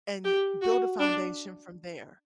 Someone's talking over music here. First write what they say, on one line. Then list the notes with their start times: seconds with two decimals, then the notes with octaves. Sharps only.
and build a foundation from there."
0.25 G4
0.62 F#4
1.00 D4